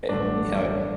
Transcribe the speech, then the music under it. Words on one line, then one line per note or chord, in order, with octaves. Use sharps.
uh, you know, it
A1 G2 D3 A3 D4